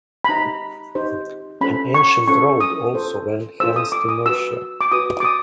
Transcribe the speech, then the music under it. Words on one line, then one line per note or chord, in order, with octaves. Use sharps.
An ancient road also ran hence to Nursia.
B5
D#4 G4 C5 A#5
D#4 G4 C5
C#4 F4 A4 C5 B5
C#6
C#4 F4 A4 C5 C#6
D#6
F4 A4 C5
F4 A4 C5 E6
D#6
D6
D#6
F#4 B4 E6
D6
F#4 B4 D#6
D6
D#6